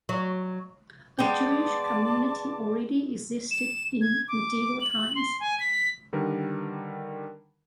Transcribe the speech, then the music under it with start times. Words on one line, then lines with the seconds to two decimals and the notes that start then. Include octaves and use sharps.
A Jewish community already existed in medieval times.
0.09 F#3
1.19 G#3 B3 D5 G5 A5 D6
3.51 E7
4.01 G#6
4.28 D6
4.81 F#7
5.16 C6
5.40 G#5
5.60 B6
6.13 D3 D#3 G3 A#4 B4